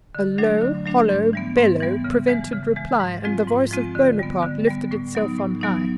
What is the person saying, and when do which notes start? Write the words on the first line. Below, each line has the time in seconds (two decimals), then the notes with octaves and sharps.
A low hollow bellow prevented reply, and the voice of Bonaparte lifted itself on high.
0.15 D3
0.38 F#3 A3 D4
0.61 D3
0.86 F#3 A3 D4
1.09 G#2
1.33 E3 G3 B3
1.57 G#2
1.80 E3 G3 B3
2.04 C#3
2.28 E3 G#3
2.52 C#3
2.76 E3 G#3
3.00 G#2
3.24 F3 G#3 C4 F4
3.48 G#2
3.71 F3 G#3 C4 F4
3.95 D3
4.19 G3 B3
4.43 D3
4.67 G3 B3
4.91 A2
5.15 F#3 B3 D#4
5.39 A2
5.61 F#3 B3 D#4